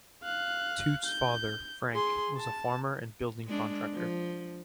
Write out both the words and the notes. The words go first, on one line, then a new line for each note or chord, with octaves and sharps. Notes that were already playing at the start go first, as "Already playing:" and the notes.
Toots' father, Frank, was a farmer and building contractor.
F5 F#6
G6
G#4 C6
A5
G#3 D4
F3